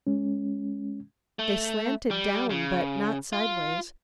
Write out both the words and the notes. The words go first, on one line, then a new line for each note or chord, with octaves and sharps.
They slanted down but not sidewise.
G#3 C#4
A3
G3
C#3
F4